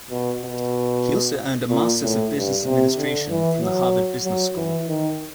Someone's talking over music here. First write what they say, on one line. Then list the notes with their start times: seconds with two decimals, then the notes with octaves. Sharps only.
He also earned a Masters of Business Administration from the Harvard Business School.
0.11 B2
0.42 B2
1.70 A#2
2.02 A2
2.34 G2
2.65 C3
2.97 D3
3.29 E3
3.61 F#3
4.25 F#3
4.56 E3
4.88 D#3